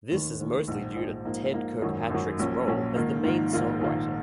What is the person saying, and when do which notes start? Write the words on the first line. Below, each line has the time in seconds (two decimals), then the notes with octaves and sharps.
This is mostly due to Ted Kirkpatrick's role as the main songwriter.
0.10 F1 D#2 D#3
0.40 F1 D#2 D#3
0.68 A#1 G#2 F3
0.96 A#1 G#2 F3
1.25 G#2 F3 A#3
1.53 G#2 F3 A#3
1.81 G#1 F#2 D#3 F#3
2.10 G#1 F#2 D#3 F#3
2.39 A#1 A#2 F#3 C#4
2.67 A#1 A#2 F#3 C#4
2.96 G#2 D#3 A#3 F4
3.24 G#2 D#3 A#3 F4
3.53 A#1 G#2 D#3 A#3 F4
3.81 A#1 G#2 D#3 A#3 F4